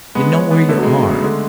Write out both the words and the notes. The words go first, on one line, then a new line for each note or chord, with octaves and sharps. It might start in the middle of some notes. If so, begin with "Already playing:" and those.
You know where you are.
G#3 B3
C#5
B3
D3 A3
F#3
G#3
D3
C#3 A3
D3 G#3